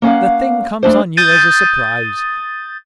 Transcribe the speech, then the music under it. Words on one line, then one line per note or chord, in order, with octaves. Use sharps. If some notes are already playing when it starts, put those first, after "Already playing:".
The thing comes on you as a surprise.
A#3 C#4 F5 F#5
A3 D4 C5
D#6 G6 A6 D#7